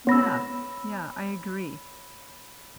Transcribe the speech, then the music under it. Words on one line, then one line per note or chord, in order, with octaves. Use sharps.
Yeah. Yeah, I agree.
B3 C#5 B5 E6 A#6